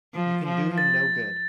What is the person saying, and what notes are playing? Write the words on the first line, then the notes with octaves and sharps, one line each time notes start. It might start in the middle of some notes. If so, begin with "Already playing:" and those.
You can do him no good.
F3
F3
A6